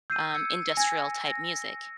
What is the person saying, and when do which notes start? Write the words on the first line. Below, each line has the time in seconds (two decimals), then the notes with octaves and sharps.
um, industrial type music.
0.10 E6 G6 C7 D#7
0.34 E6 G#6 C#7
0.77 G#5 G#6 A#6
1.28 A#6